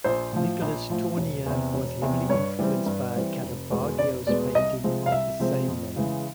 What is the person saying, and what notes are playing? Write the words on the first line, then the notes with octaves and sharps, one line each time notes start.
Nicolas Tournier was heavily influenced by Caravaggio's painting of the same name.
A#1 C5
A2 F3
A#1
A2 F3
E1
E2 C3
E1
E2 C3
G2 C#5
E3 G3 C4
G2
E3 G3 C4
F1
E2 B2 G#3 B3
F1 D5
E2 B2 G#3 B3 D5
C2 D#5
C3 F3 G#3 C4
F5
C2 E5
C3 F3 G#3 C4
F2
C#3 E3 G#3